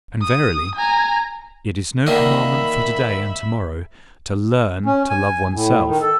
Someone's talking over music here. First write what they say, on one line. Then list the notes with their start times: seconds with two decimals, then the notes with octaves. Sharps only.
And verily, it is no commandment for to-day and to-morrow to LEARN to love oneself.
0.22 D#6
0.75 G#5 A#5
2.07 D#2 D3 A#3 E5 B5
4.86 C#4
5.09 G#5
5.53 A2
5.87 D#3
6.02 A4